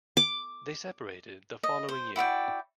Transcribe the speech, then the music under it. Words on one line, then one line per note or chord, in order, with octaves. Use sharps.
They separated the following year.
D6
D#5
C5
E4 F#4 D5 G5